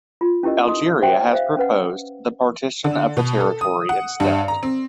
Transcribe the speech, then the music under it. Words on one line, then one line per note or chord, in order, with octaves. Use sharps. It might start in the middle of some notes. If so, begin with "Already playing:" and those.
Algeria had proposed the partition of the territory instead.
F4
C#4 E4 G4 A#4 D#5
D#4 A4 D#5 C6 D#6
G4 C5 D5 E5 F#5 G5
C5 E5 F5
C#4 B4 F#5
D3
B2
A4
D#6
F#5
G2
A#5
C4